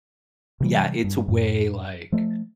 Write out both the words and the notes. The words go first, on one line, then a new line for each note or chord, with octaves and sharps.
Yeah, it's way like
C3 E3 G3
G2
F#2 A2
F3 A3